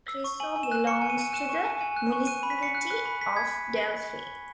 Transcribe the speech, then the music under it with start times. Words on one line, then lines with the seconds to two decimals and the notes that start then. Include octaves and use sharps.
Chrisso belongs to the municipality of Delphi.
0.08 E6
0.24 C#6
0.40 G#5 F#7
0.56 G#5
0.63 E7
0.72 F#6
0.87 C#6 C#7
1.02 G#5
1.10 D#7
1.18 G#5
1.33 F#6 E7
1.49 C#6
1.65 G#5
1.81 G#5
1.97 F#6
2.12 C#6
2.27 F#6 D#7
2.43 B5
2.50 B6
2.59 B5 C#7
2.75 F#6
2.90 F#6
3.06 B5
3.21 B5 B6
3.37 G#6